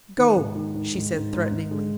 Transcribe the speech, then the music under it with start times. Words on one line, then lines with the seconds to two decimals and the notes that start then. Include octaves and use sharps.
"Go!" she said threateningly.
0.17 D#3
0.36 G#2
0.56 D#3
0.74 G#2
0.95 G#2
1.13 G#2
1.32 G#2
1.51 G#2
1.71 G#3